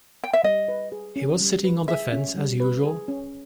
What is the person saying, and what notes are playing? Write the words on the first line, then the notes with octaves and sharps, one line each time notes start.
He was sitting on the fence, as usual.
G5
E5
G3 D#5
B4
G#4
C#4
G3
B4
G#4 E5
C#4
G3
B4
G#4
C#4